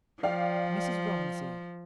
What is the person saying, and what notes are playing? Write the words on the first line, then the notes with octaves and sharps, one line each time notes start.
Mrs. Romsey.
F3 D5 F5 G5